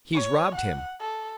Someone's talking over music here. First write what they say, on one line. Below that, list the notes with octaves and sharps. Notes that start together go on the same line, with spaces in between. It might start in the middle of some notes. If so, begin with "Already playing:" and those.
He's robbed him!
C#5
F#5
A4